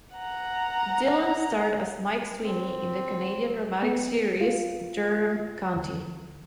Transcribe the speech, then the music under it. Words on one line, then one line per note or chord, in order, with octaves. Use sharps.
Dillon starred as Mike Sweeney in the Canadian dramatic series "Durham County".
F#5 A#5
C4
B3
F4
D2